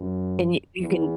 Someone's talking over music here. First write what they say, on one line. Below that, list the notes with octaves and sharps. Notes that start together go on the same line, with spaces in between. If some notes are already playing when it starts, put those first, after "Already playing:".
and you you can
Already playing: F#2
E2